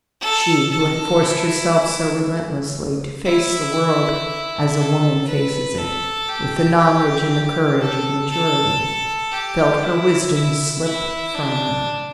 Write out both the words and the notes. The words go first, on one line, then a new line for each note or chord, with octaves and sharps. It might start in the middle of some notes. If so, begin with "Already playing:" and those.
She, who had forced herself so relentlessly to face the world as a woman faces it, with the knowledge and the courage of maturity, felt her wisdom slip from her.
A4
A4
E4
E4
E4
A4
B4
A4
G4
A4
A4
G4
E4
E4
E4
D4